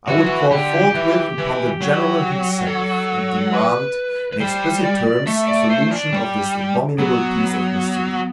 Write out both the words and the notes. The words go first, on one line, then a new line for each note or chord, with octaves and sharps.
I would call forthwith upon the General himself, and demand, in explicit terms, a solution of this abominable piece of mystery.
E3 F#4
F#3
E3
D3 G4
E3
E3
F#3
A4
B4
B4
G3 C5
D5
A3 E5
D5
C5
D4
G3
F#3 B3